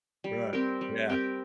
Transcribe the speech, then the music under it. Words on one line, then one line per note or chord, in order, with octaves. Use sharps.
Right, yeah.
G3
C4 G4 A#4
G3
C4 G4 A#4